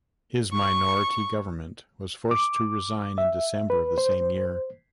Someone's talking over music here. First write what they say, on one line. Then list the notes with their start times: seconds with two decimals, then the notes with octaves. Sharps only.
His minority government was forced to resign in December of the same year.
0.53 C#6
2.31 D6
3.18 E5
3.70 B4
3.98 C5